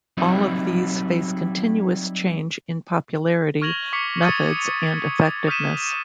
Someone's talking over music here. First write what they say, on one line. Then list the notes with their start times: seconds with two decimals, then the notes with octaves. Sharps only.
All of these face continuous change in popularity, methods and effectiveness.
0.17 F#3 G3 C4 D#4 E4
3.62 C#6 F6 G#6 A#6 F7 F#7
3.93 C#6 D6 B6 C#7 F7
4.22 D#6 F6 G#6 A6 C#7 D#7
5.48 D#6 F6 G6 B6 D#7 E7